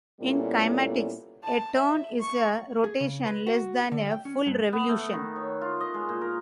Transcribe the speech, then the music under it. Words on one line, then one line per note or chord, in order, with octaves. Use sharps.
In kinematics, a turn is a rotation less than a full revolution.
A#2 G3 B3 C#4 E4 A4
A5
E5
C#6
G#4
C#3
B4
F#4
D3
G5
C#4
G2
B3
A3
D#3
C#5
F4
D#5
G#3
A#2
A#4